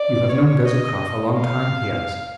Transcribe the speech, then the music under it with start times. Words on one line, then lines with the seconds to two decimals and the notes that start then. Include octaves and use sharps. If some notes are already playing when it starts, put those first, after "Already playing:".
"You have known Bezukhov a long time?" he asked.
Already playing: D5
0.29 C#5
0.65 D#5
1.38 F5